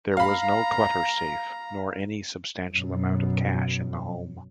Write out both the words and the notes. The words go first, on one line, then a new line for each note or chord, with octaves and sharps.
There was no Clutter safe, nor any substantial amount of cash in the home.
F5 A#5 B5
F#2 B2